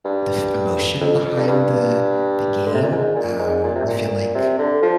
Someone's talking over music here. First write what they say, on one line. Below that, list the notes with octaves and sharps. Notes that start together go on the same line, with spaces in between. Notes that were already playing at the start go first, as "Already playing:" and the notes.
the f emotion behind the the game. Um, I feel like,
G2
F2
F2
G2
G2
D3
C3
A#2
G#2
A#2
G#2
A#2
C3
A#2
C3
D3
F3